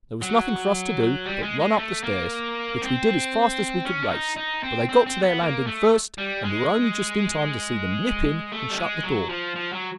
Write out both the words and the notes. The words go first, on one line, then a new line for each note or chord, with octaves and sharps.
There was nothing for us to do but run up the stairs, which we did as fast as we could race; but they got to their landing first, and we were only just in time to see them nip in and shut the door.
F#3
G3
G#3
G#3
A3
A#3
C4
C#4
D4
D#4
D#4
C4
C4
C4
B3
A#3
A3
G3
G#3
A3
G3
G#3
F#3
F3
F3
F#3